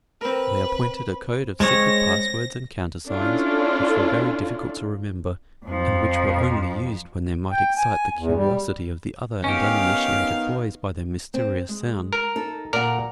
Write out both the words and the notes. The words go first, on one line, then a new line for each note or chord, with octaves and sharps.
They appointed a code of secret passwords and countersigns which were very difficult to remember, and which were only used when they might excite the curiosity of the other and uninitiated boys by their mysterious sound.
C4 A#4 B4
G#3 C4 C#5 A#6
C#4 D4 E4 F4 A4
F2 F3
G5
G#5
E2
G3
D#3 B3 C#4 D#4 G4 F5
C4
G#3
A#4
D#4 A4
A#2 A#4 D5 F#5